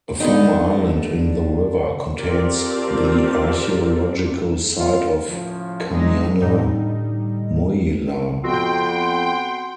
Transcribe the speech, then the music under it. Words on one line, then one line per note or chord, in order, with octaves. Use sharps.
A former island in the river contains the archaeological site of Kamyana Mohyla.
D3 B3 D#4
C4 F4 G4 A4 A#4 D5
F4
A2 C#3 F3
D3 F#3 G#3 D#4
A2 D3 G3 D#4
F2 B3 C4 F#4 F#5 G5 C6